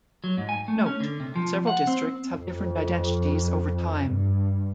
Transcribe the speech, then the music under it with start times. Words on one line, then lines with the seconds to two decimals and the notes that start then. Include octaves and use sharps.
Note: several districts have different identities over time.
0.24 F#3
0.38 G#2
0.49 G#5
0.68 A3
0.86 C#4
1.00 D3
1.20 C3
1.36 F3
1.67 F#5
1.87 C4
2.33 F2
4.05 G2